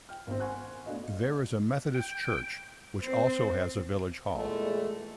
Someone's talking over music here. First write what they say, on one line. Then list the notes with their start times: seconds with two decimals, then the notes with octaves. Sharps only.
There is a Methodist Church, which also has a village hall.
0.09 G5 F6
0.27 G#1 C4
0.40 F#5 G#5 C6 C#6 F#6
0.85 A3 B3 D4 F#4 D#5 F5
1.94 G5
3.00 C4 C5
4.35 E2 A#2 G#3 A3